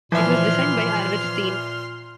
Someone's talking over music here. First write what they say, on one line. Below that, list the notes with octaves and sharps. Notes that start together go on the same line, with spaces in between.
It was designed by Arvid Steen.
A#2 E3 F3 E5 C6 F6